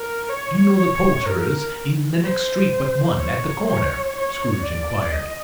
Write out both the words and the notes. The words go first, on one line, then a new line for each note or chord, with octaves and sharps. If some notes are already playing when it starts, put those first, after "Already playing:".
"Do you know the Poulterer's, in the next street but one, at the corner?" Scrooge inquired.
Already playing: A#4
C#5
C#5
A#4
C5
C#5
C#5
C#5
D5
D#5